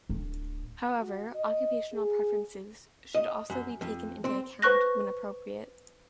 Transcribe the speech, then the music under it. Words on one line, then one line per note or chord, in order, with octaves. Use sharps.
However, occupational preferences should also be taken into account when appropriate.
D1
F#4
D#5
G#4
D#5
F#2
F2
C4
B4 C5 C#6 F#6 A#6